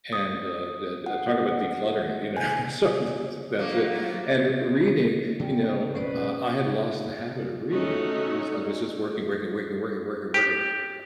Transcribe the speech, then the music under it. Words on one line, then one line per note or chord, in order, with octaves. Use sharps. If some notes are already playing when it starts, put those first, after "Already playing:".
And, uh da da talk about decluttering, you know, sometimes it that's it. And r reading, you know, uh, I had lost the habit of reading because I was just working, working, working, working, working, working,
D#6
F#5
G#5
F#3 A3 A#3 D4 A#4 C5 F5
C#3 C4 D5 G5
B1 F#2 A2 C#4 B4 C5 D5
A3 C#4 D#4 F#4
G4